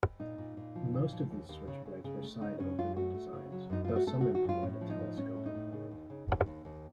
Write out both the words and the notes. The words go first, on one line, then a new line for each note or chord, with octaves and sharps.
Most of these switchblades were side-opening designs, though some employed a telescoping blade.
A#2 D#4
A#2
A#2
F3
A#2
F3
D#2
D#2
C#3
C#3
C#3
A3
C#3 D#4
F#2 C#4
F#2 F4
A3 F#4
A3
C#3
F#3
F#2 D#4
A3 F4
F#4
A3 A4
D#3 F#4
F#4
F#2 F4
A2 C#4
F3
D#4
A2
A2 C#4
A3
D#4
A2
C#3
D#2
C#3
D#2
D#2
D#2